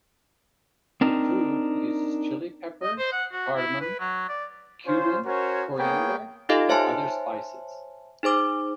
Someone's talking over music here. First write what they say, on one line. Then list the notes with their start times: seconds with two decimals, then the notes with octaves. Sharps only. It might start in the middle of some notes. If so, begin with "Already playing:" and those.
The food uses chili peppers, cardamom, cumin, coriander and other spices.
1.01 C4 D4 D#4 A#4
2.82 D#5
2.98 C5
3.12 F#5
3.32 F#4
3.56 E4
3.81 B4
3.99 F#3
4.29 D5
4.86 C#4 F4 C5
5.26 C#4 F#4 A#4 C5 C#5
5.77 A#3 B3 G#4 C#5 G5
6.49 D#4 F4 G4 A4 D#5 F5
6.69 C5 C#5 E5 G#5 A5 C6
8.23 D#4 G#4 C5 D6